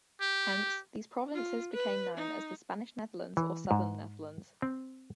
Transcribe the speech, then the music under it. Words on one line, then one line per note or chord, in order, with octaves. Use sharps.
Hence, these provinces became known as the Spanish Netherlands or Southern Netherlands.
G4
F4
B4
D#4
E3
G#2
C4